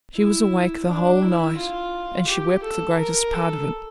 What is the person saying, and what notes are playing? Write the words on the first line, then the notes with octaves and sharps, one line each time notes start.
She was awake the whole night, and she wept the greatest part of it.
E4
D4
E4
F4
G4
A4
A#4
A4